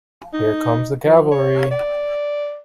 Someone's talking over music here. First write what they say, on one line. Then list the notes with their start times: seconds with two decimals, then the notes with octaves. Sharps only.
Here comes the cavalry.
0.33 D#4
1.05 F3
1.31 C#5
1.71 D5